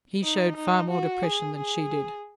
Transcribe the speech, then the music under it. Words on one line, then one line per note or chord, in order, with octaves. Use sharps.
He showed far more depression than she did.
D#4
D#4
F#4
G#4
G#4